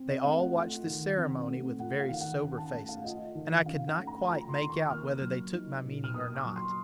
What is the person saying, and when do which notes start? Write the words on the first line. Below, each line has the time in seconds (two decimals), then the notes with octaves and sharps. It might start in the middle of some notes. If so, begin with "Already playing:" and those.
They all watched this ceremony with very sober faces, and I could not quite make out whether they took my meaning or not.
Already playing: C4
0.09 D#5
0.24 A3 F5
0.40 F#5
0.56 F4
0.87 D#3
1.18 C4
1.48 A3
1.79 F4 F#5
2.00 F5
2.10 D#3
2.21 F#5
2.42 C#4 F#5
2.57 A5
2.73 A3 F#5
2.88 F5
3.04 F4 D#5
3.35 D#3
3.66 C#4 F5
3.87 F#5
3.97 A3
4.07 A#5
4.28 F4 A#5
4.49 C6
4.59 D#3
4.70 C#6
4.90 A#3 F6
5.21 F#3
5.52 D#4
5.84 A#2
6.04 F6
6.14 A#3 D#6
6.35 C#6
6.45 F#3
6.56 C6